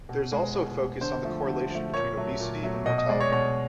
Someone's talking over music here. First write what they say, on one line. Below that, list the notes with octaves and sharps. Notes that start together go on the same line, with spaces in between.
There is also a focus on the correlation between obesity and mortality.
B2
G#3
B2
G#3
D3 C5
F3 A3
D3
F3 A3
A#2 C#5
F#3 A3
A#2
F#3 A3
B2 D#5
D#5
G#3 D5
C#5
B2 C#5